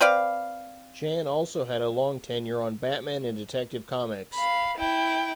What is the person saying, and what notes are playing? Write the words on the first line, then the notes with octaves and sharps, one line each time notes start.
Chan also had a long tenure on "Batman" and "Detective Comics".
C4 B4 D5 F5
F5 B5
E4 G5